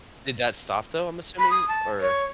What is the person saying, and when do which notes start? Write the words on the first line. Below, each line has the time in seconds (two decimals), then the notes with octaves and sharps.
Did that stop, though, I'm assuming? Or...
1.39 B5
1.50 D#6
1.68 A5
2.01 C#5